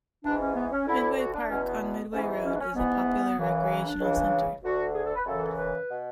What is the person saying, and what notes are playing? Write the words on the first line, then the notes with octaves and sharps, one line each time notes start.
Midway Park on Midway Road is a popular recreational center.
G#2 E3 D4
C#4
B3
C#4
D2 D3 E4
F#4
D4
E2 B2 C#4
B3
B3
G#2 E3 C#4
B3
C#4
D4
C#4
G#2 E3 B3
F#2 C#3 E3
C#4
D4
C#2 C#3 E3
D2 D3 F#4
G#4
A4
B4
F#2 C#3 E3 A4
B4
B2